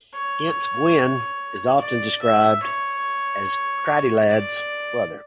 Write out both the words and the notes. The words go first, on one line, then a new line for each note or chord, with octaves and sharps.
Hence, Gwyn is often described as Creiddylad's brother.
C#5
D5
E5
C#5
D5